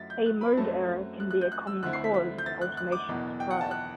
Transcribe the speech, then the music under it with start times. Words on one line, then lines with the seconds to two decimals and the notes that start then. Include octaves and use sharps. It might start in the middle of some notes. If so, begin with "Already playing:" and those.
A mode error can be a common cause of an automation surprise.
Already playing: F#2 F#3 A3 E4 A6 B6
0.10 G6
0.26 F#6
0.41 B5
0.57 F#2 F#3 A3 C4 A5
1.20 F#6
1.31 F#6
1.41 G6
1.52 F#6
1.67 E6
1.83 D2 D3 A3 C4 E4 F#6
1.93 C7
2.04 B6
2.14 B6
2.38 G6
2.46 A6
2.61 F#6
2.77 F#6
2.92 D6
3.09 F#1 E2 B2
3.40 G5
3.51 F#5
3.61 A5
3.71 F#6